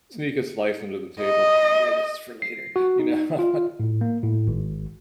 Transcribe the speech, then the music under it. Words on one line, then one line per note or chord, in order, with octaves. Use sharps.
Sneak a slice under the table. "Here, here, this is for later." You know?
D#5
C7
F#4
D#4
F4
A2
A#3
A2
G#1